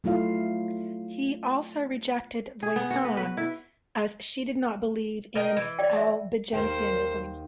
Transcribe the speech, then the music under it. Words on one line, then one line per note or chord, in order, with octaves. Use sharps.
He also rejected Vuissane as she did not believe in Albigensianism.
F#3 A3 E4 F4 F5
G#4
B3
F#4
B4
B4
E4
A#4 D#5 G5
E3
D5 G5
E5
D#2 D#3 A#4 C5 G5